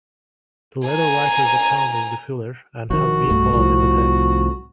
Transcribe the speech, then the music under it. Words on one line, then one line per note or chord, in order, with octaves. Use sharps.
The latter writer's account is the fuller, and has been followed in the text.
G#5 A#5
A#1 D#3 F#4
B1 G2 A3
C2 A2 F3